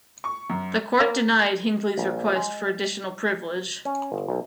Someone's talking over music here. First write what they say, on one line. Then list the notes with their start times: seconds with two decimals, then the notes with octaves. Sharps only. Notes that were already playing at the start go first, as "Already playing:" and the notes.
The court denied Hinckley's request for additional privileges.
0.24 C#6
0.50 F#2
1.00 A#3
1.98 A#1
2.35 G#3
3.85 C#4
4.12 G1
4.28 B1